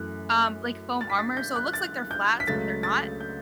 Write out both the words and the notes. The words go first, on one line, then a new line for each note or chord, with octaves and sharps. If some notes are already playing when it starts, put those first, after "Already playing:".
um, like foam armor, so it looks like they're flats, but they're not.
Already playing: F#2 E3 A3 F#6
A6
B6
A6
G6
F#6
A6
G6
B6
C#2 C#3 F#3 A3 A6
A6
G6